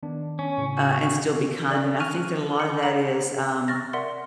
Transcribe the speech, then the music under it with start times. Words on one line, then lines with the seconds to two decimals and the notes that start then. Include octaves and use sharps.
uh, and still be kind and I think that a lotta that is, um,
0.03 D#3 B3 D4
0.39 C#4
0.57 A2 C#3 C#6
0.77 F#4
1.68 A4 D5 C#6 F#6
2.00 C#6 F6 F#6 D#7 F7
2.59 B5 C#7 G7
2.83 C#5 F#5 A#5 F#7
3.68 C#6 F6 A6 A#6
3.93 A#4 D5 E5 F#5 C6